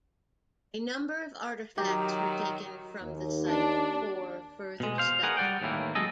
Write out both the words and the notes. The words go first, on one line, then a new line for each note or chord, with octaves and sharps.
A number of artifacts were taken from the site for further study.
D#3 F#3 G4 A#5
D#2
D4
B2 G#3
C5 F5
G#4 A#4 B4 C#5 D#5 F#5
G3 F#4 D5 F#5 G5
D#2 A2 E3 A#3
F#3 G#3 C#4 A4 D#5